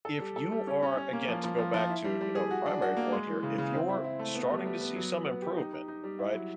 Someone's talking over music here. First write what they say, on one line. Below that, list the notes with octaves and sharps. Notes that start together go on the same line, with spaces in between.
if you are again to go back to, you know, the primary point here, if you're starting to see some improvement, right?
A4
G3
A4
G3
C#4
C#4
C#4
A#3
F3
F3
F3
F3
E4
G3
G3
G#4
F#4
D4
F#4
A#3
G#3
E3
C#3
C#3
C4
E4
E4
A3
B3
G3
G3
B3
F#3
B3
B3
G4
D#4
D#4
D#4
G3
E4
F#3